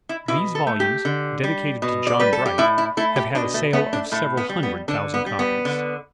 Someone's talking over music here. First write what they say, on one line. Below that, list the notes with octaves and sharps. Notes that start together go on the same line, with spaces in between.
These volumes, dedicated to John Bright, have had a sale of several hundred thousand copies.
E4
B2 E4
A4
A3
G4
D3
G3
B2
D5
G3 B4
A4
G4
A2 E4
E4
A3 E4
G4
B2 D4
A3
A3 B3
D4
A2 A3
B3
G3
B3
D3 D4
B3
G3
B3
D3